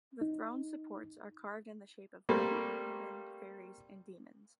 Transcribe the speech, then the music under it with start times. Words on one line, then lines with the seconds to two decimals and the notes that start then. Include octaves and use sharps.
The throne's supports are carved in the shape of men, women, fairies, and demons.
0.21 D#4
2.29 G3 A3 A#3 C4